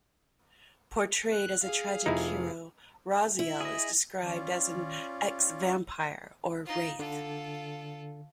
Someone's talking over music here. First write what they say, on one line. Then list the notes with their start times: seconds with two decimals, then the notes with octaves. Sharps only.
Portrayed as a tragic hero, Raziel is described as an "ex-vampire" or "wraith".
1.32 F#6
1.63 G#4 F5
2.06 F1 D#4 E4
3.39 E4
3.61 G#4 D#5
4.26 C#4 F4 D5
6.66 D#4 F4
6.99 D3 F4 A4